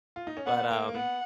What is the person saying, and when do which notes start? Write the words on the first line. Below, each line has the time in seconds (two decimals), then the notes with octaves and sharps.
But, um,
0.16 F4
0.27 D#4
0.37 C#4
0.46 B3 F#5
0.70 A#3
0.88 A#3
0.95 B3 F#5